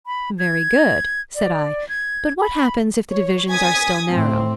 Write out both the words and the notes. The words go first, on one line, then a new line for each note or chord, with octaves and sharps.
"Very good," said I; "but what happens if the divisions are still narrow?"
B5
G#6
D5
G#6
B5
C#5
G#5 D#6 G#6 B6
A2 C4